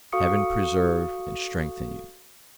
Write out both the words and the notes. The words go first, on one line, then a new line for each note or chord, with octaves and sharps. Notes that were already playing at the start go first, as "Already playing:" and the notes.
Heaven preserve and strengthen you!
F#4 A4 F5 C#6 D#6 C#7